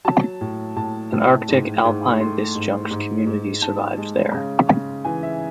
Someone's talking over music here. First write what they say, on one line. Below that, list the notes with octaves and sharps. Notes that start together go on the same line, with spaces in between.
An Arctic-alpine disjunct community survives there.
F#3 A5
A2
A2 A5
A2
G#2
G#2
A3 C6
G#2
G#2
G#2
G#2 A5
G#3
C#3
C#3
E3 G#5
E5